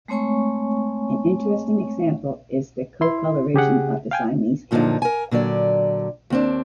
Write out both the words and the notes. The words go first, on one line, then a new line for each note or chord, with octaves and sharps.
An interesting example is the coat coloration of the Siamese cat.
G#3 A3 C4 C#5 G#5 C#6
E4 C6
C#3 G4 G#4 F#5
F5 G5 G#5
F#2 A#2 D3 D#3 F3 D#4
A#4 G#5
A#2 D3 F#3 D5
D#2 C4 D4